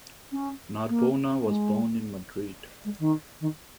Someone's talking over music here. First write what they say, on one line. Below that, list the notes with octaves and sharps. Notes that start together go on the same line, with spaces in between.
Narbona was born in Madrid.
C#4
A#3
G#3
G#3
D#3
D#3